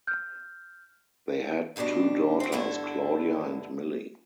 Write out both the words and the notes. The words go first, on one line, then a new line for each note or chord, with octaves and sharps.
They had two daughters, Claudia and Millie.
F6 G6
D2 G2 B2 G3 D4
C4 F#4
G2 D3 B3 E4 A4